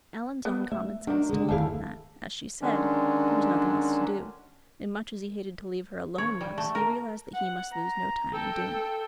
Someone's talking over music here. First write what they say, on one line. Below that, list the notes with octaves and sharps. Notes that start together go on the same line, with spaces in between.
Alan's own common sense told him that, as she said, there was nothing else to do and, much as he hated to leave her alone thus, he realized that he must lose no time in doing it.
B3
A3 E5
D#3 F#3 D4
D3 G#3
E1 D2 G2 D#3 E4 G#4 A4 F5
D3 D#3 F#3 G#3 C#4 D4
C#5
G3
A3
A#4
F#5
A#5
A4 G5